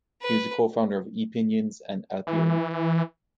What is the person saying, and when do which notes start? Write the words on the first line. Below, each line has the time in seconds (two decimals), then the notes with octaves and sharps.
He was a co-founder of Epinions and Alpiri.
0.22 B4
2.27 E3